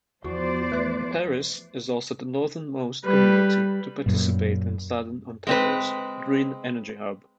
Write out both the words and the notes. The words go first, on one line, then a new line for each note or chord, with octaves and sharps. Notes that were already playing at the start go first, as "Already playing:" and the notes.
Paris is also the northernmost community to participate in Southern Ontario's Green Energy Hub.
E2 F3 F#4 C5 D5
E3 A3 B4
G3 B4
F#2 A#2
G#3 C4 B4